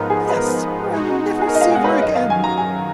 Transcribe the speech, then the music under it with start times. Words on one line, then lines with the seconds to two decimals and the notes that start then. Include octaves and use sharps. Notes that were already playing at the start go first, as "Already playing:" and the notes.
"Yes, or I will never see her again."
Already playing: G#2 F3 B3 D#4 A#4
0.10 G#4
0.29 B4
0.37 A#4
0.92 B2 G#3 D#4 F#4 G#4
1.41 G#4
1.48 A#4
1.55 D#5
1.61 F5
1.70 G#5
1.75 F#5
1.84 B4
1.88 C#5
2.02 F#2 D#3 F#3 D#5
2.15 F5
2.30 G#5
2.44 A#5
2.57 G#5